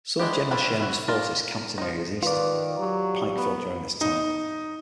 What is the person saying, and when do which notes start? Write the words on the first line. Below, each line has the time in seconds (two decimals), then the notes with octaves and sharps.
Some of General Sherman's forces camped in areas east of Pikeville during this time.
0.20 F#3 G#3 D4 E4 G4
0.51 G3 C4 D4 C#5 B5
0.81 E4 F#4
1.08 F4 A#4 D5
1.78 F3 D#4
2.23 D#3 F4 B4 D5
2.79 F#3 G4
3.36 B3
4.01 D#4